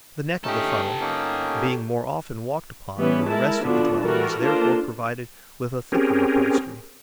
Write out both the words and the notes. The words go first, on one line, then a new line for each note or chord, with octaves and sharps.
The neck of the funnel, being more often walked upon than the rest of the dwelling, is therefore provided with a thicker upholstery.
A3 C#4 D#4 G4 A4
A#3 C#4 D#4
E3 G3 B3 C#4
G#3 E4 A#4 A5
D3 F3 B3 D4 F#4
E3 G3 F#4 A4 A#4
A#3 D4 F4 A4 A#4 C5
C4 C#4 G4 G#4 A#4